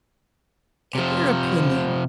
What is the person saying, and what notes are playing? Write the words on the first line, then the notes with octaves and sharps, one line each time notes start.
In your opinion,
C3 F3